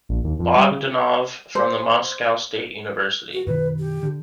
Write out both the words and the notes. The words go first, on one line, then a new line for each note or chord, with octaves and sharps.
Bogdanov, from the Moscow State University.
A#1
D#2
F2
G3
C#3
C5
F#4
F#2 B2 D#3 B4
G4
D3